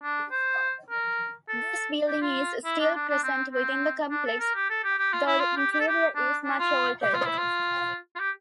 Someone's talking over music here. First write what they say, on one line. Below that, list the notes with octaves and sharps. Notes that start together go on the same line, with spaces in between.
This building is still present within the complex, though the interior is much altered.
D4
C5
A#4
A4
G4
F4
E4
D4
D4
D4
C4
C4
D4
A4
A#4
G4
A4
G4
G4
F4
E4
F4
G4
G4
A4
G4
D4
D4
F4
G4
F4
E4
F4
F4
G4